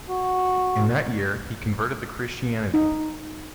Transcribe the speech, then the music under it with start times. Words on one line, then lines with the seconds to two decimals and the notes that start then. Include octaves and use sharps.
In that year, he converted to Christianity.
0.08 F#4
2.74 D#4